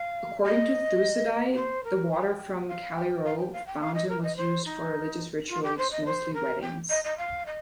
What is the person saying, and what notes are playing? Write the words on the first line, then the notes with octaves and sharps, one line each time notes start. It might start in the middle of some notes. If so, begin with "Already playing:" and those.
According to Thucydide, the water from Callirhoe fountain was used for religious rituals, mostly weddings.
Already playing: F5
D#5
C5
A#4
G5
F5
G5
F5
G5
F5
G5
F5
D#5
A#4
D#5
C5
D#4
F4
G4
C5
D#5
C5
A#4
G5
D#5
D#5
F5
D#5